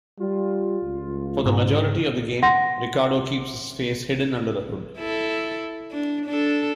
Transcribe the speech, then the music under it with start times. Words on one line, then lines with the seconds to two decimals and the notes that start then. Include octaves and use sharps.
For the majority of the game, Riccardo keeps his face hidden under a hood.
0.20 G3 F4
0.83 C#2
1.46 G#2 C#3
2.43 F#5 C6 A#6
4.98 E4 A4
5.91 D4
6.26 D4 A4